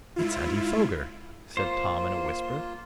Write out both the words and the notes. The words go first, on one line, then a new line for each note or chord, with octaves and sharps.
"It's Andy Foger!" said Tom, in a whisper.
G#2 E4 F4
A#3 F4 C5